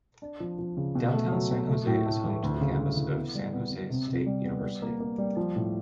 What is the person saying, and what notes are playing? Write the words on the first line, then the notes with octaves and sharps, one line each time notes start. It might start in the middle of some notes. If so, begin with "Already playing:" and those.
Downtown San Jose is home to the campus of San Jose State University.
D4
F3
F3
C#3
B2
A3
F#3
B2
A3
A2
A3
E3
D2
C#3
D2
E3
B3
G3
B3
B3
C3
C3
G3
B3
G3
A#3
A#3
G3
F3
A2